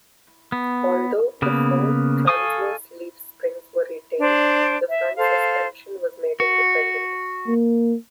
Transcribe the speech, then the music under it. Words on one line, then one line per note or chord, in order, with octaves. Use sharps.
Although the Ford transverse leaf springs were retained, the front suspension was made independent.
B3
C#3 A#3 B3
A4 F5 G#5 C#6 D#6
D4 C5
E5
A4 C5 F5
F#4
A#3